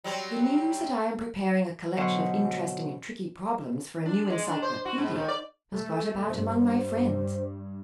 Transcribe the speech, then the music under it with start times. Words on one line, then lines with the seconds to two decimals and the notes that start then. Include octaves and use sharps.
The news that I am preparing a collection of interesting and tricky problems for a new "Encyclopaedia" has got about among my friends.
0.04 F#3 G3 C4
1.97 B2 D3 F#3 C5 D#5 F#5
4.06 D4
4.30 G#3
4.47 D4
4.62 C5
4.85 F#4
4.98 G#2
5.16 D#3
5.28 D5
5.71 A3
6.30 G2 C5